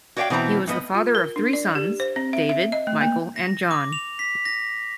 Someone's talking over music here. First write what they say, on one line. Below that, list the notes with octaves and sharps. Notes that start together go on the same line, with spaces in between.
He was the father of three sons, David, Michael, and John.
F#4 C#5 D5 E5 F5 G5
B2 E3 C4 A5 A#5
G#2 B3 D#5
F4
A#4
D4
D5
G4
C5
C4
E5
E5
D#5
A3
A#3
A#6
D6
F7
B6
A#6